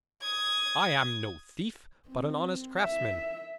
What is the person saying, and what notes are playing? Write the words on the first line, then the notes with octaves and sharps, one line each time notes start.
I am no thief, but an honest craftsman.
D#6 G#6
C4
E5